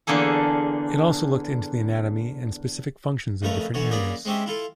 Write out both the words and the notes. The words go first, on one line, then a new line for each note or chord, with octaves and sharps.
It also looked into the anatomy and specific functions of different areas.
E2 D3 A#3 G#4 A4
F2 C#3 A3 A#4 B4
D3 E3 F#4 C#5
F#2 A#2 G#4 A#4 D5 B5
G#3 C4 C#4 G4 E5
E4 F4 A4